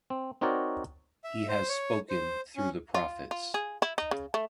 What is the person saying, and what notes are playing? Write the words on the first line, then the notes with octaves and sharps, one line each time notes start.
He has spoken through the Prophets.
C4
C4 D#4 F#4 A#4 C#5 D5
E5
C5
C#5
C5
C#4
F4
F4
G#4
E4
D#4
C#3
A3